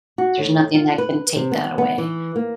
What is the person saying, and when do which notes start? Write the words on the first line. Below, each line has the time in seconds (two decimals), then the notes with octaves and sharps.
There's nothing that can take that away,
0.18 F#4
0.38 A2
0.74 F4
0.98 B4
1.36 C3
1.52 B3
1.78 B3
1.98 E3
2.36 A#3